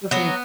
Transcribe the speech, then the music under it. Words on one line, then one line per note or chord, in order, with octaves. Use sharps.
Good for you.
F#3 B3